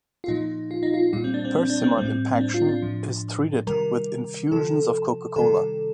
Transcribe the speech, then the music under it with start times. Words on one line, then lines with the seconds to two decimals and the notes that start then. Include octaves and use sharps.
Persimmon impaction is treated with infusions of Coca-Cola.
0.24 F4
0.28 A#2 F3 D#4
0.71 F4
0.83 D#4
0.94 F4
1.13 A#2 G3 F4
1.24 C4
1.34 D4
1.45 C4
1.55 C4
1.70 D4
1.84 C4
1.98 A2 G3 C4
2.35 C4
2.41 D4
2.54 F4
2.69 D4
2.82 A2 F3
3.67 C3 D#3 G3 A#4
4.52 C3 F3 A4
5.36 C3 D#3 G3 A4